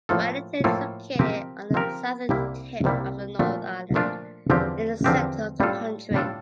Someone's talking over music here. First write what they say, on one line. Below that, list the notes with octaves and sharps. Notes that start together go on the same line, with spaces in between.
Wellington is located on the southern tip of the North Island in the center of the country.
A2 F3 A#3 F4 A4
A2 F3 A#3 F4 A4
F3 C4 G4 A#4
F3 C4 G4 A#4
C2 C3 G3 A#3 E4
C2 C3 G3 A#3 E4
A#2 F3 A3 D4 F4
A#2 F3 A3 D4 F4
E2 D3 F3 C4 G4
E2 D3 F3 C4 G4
A2 G3 D4 F4 A4
A2 G3 D4 F4 A4